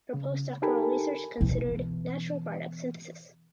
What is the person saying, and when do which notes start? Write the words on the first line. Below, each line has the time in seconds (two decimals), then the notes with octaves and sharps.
Her postdoctoral research considered natural product synthesis.
0.14 C#3
0.62 D#4 G4 A4 A#4 G#5 B5
1.41 B2 E3